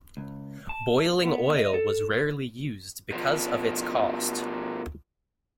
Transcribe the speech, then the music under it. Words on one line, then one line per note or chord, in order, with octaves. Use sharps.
Boiling oil was rarely used because of its cost.
C#2
A5
B3
D#5
A4
B2 F3